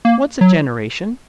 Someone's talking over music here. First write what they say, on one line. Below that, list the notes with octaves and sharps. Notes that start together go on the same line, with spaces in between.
"What's a generation?"
A#3
F#3